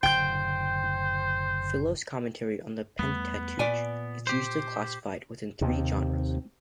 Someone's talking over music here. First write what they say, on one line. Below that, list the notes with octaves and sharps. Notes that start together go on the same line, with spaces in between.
Philo's commentary on the Pentateuch is usually classified within three genres.
F#1 A2 D3 C5 G5 G6
E2 G3 A3 B3
A#2 D5 G#5
G4 C5
D#2 C3